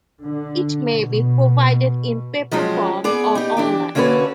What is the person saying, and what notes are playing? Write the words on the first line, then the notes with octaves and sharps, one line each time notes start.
It may be provided in paper form or online.
D3
B2
F3 F#3 G#3 C4 C#4
B3 G#4 D5
D#4 G4
E3 D4 G4
D3 A#3 C#4 F#4 A4 B4